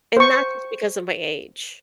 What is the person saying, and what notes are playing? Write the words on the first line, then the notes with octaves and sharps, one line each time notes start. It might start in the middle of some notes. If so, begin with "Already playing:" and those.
and not just because of my age.
C5 C#6